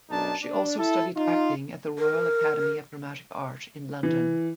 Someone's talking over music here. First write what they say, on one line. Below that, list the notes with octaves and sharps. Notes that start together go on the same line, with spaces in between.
She also studied acting at the Royal Academy of Dramatic Art in London.
B1 F#2 D4 D#4 A5
D4
E4 A4
D#4 F4
A#4
E3